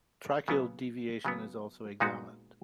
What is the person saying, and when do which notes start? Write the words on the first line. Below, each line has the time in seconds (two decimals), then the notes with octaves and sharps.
Tracheal deviation is also examined.
0.48 C#3 F#3 B3
1.25 C#3 F#3 B3
2.00 A#2 G#3 B3 D#4 F#4